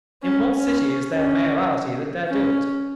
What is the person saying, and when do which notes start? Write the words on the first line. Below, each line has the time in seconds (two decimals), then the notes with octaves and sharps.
In what city is there a mayoralty that dare do it?
0.23 C#4
0.53 C#4
1.11 C#4
2.29 C#4